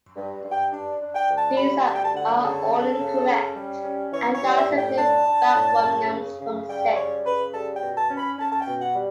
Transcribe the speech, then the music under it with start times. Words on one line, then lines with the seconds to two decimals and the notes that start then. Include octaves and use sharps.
These are all incorrect and are simply backronyms from "sic".
0.16 G2
0.44 G2
0.51 G5
0.72 D4
1.01 D4
1.15 G5
1.29 D2
1.36 A5
1.57 G3 B5
1.85 D2 A5
1.94 G5
2.03 A5
2.14 D3 F#5
2.43 C#3 A4
2.70 C#4
2.99 C#3
3.27 C#4
3.55 G3
3.84 C#4
4.12 E3 C#5
4.34 C#5
4.41 G3
4.50 F#5
4.56 E5
4.69 A2
4.76 G5
4.98 D4 A5
5.26 D4
5.55 A2
5.83 C#3
6.12 C#3
6.40 C#3
6.68 G3 G5
6.96 C#3 C#5
7.25 C#3 B4
7.53 G3 A4
7.75 G5
7.81 B2
7.96 A5
8.10 C#4
8.18 B5
8.38 C#4 A5
8.51 A5
8.60 G5
8.67 B2
8.81 F#5
8.96 G3